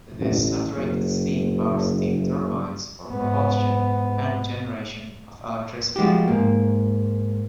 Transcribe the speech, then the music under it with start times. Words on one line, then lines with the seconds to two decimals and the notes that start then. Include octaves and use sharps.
This saturated steam powered steam turbines for propulsion and generation of electricity.
0.18 A1
0.73 F#1
3.07 G#2 B3
5.96 F3 G#3 F#4 G4
6.28 G#2 A#3